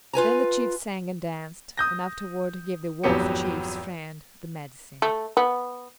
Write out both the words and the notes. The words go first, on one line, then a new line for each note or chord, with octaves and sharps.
Then the chief sang and danced, and afterward he gave the Wolf chief's friend the medicine.
F4 B4 G#5 A#5
D#6 G6 A#6
G#1 F2 F#3 B3 G4 C#7
A3
B3